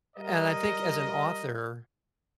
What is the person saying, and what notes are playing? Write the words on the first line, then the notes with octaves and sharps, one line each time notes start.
and I think as an author
G3 A#4 D#5